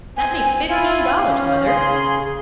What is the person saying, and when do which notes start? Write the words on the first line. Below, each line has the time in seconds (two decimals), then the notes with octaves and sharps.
That makes fifteen dollars, mother.
0.17 C4 G#5
0.69 E4 F4 F5 G#5
1.27 C#4
1.67 C#3 G#4 C6